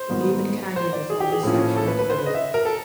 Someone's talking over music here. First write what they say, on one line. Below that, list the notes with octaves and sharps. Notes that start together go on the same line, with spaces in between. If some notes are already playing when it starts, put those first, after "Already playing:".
The Leven Canyon is on this section of the river.
Already playing: C5
G#2 D#3 G3 B3
C5
D5
G#4
G4
G#4
A2 F3 A#3 C#4
A4
B4
B4
C5
B4
D#5
E5
A#4
A4